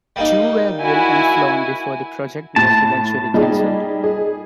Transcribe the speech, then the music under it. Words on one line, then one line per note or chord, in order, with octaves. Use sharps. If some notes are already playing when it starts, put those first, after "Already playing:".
Two were built and flown before the project was eventually canceled.
G3 A#3 D#4
E4 F#4 G#5
A2 A5 A6
G3 D#4 G#4
G#4